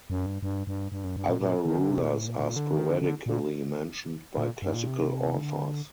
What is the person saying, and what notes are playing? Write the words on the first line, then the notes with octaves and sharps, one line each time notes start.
Other rulers are sporadically mentioned by classical authors.
F#2
G2
G2
G2
G2
F#2
G2
A#2
A#2
D#3
D3
C3
A#2
A2
A#2
A#2
D3
D#3
D3
D3
A#2
A#2
G2
A#2
C3
D3